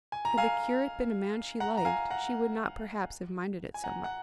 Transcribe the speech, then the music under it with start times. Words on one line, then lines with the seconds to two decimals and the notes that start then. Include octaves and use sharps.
Had the curate been a man she liked, she would not perhaps have minded it so much.
0.12 G#5
0.25 A#5
0.38 F5 G#5
1.60 F#5 A#5
1.77 A#5
1.85 F5 G#5
2.10 F#5 A#5
3.74 G#5
3.84 F#5 A#5
4.04 F#5